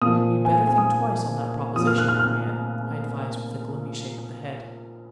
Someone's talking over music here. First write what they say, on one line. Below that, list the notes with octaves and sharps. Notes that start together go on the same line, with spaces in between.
"You'd better think twice on that proposition, Henriette," I advised with a gloomy shake of the head.
A#2 F3 D#6
G#5
G#5
D#6
A#2 F3 D#6
F6
F#6
F6
F6